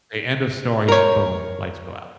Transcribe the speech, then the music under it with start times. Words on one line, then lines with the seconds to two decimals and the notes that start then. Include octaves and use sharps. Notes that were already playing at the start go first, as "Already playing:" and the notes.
Say, end of story, boom, lights go out.
0.88 A#4 C#5